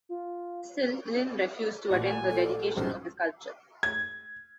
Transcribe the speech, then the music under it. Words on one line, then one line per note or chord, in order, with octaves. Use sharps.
Still, Lin refused to attend the dedication of the sculpture.
F4
A1 A#2 F#4 F#5
G#5
A4
D5
G4
B1 G2 F3 C#4 C5
G#6